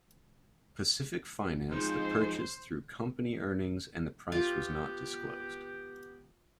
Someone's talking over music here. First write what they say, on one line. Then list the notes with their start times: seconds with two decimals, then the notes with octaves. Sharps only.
Pacific financed the purchase through company earnings and the price was not disclosed.
1.72 C2 F2 G#3 D#4 C5
4.32 B3 F4 G4